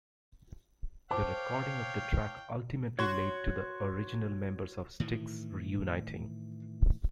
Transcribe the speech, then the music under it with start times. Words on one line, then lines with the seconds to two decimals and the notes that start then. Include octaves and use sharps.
The recording of the track ultimately led to the original members of Styx reuniting.
1.11 C5 C#5 F5 G5 A5 D6
2.99 F#4 C#5 C6
5.00 A2 D#3 E3